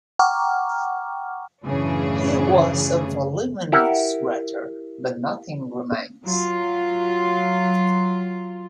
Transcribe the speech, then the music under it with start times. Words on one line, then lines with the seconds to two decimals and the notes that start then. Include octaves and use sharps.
He was a voluminous writer, but nothing remains.
0.19 F#5 G5 A#5 C#6 D6 F6
1.66 F#2 A2 C#3 E3 D4 G#4
3.72 E4 G4 A#4 F#5
6.24 F#3 F4